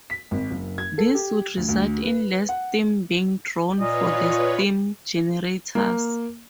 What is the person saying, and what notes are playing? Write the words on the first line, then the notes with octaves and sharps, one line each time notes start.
This would result in less steam being drawn from the steam generators.
B6
G#1
F#1
G#6
A4
G4
D2
D2
B4
F#5
A#2 F4 B4 C#5 D#5
A#3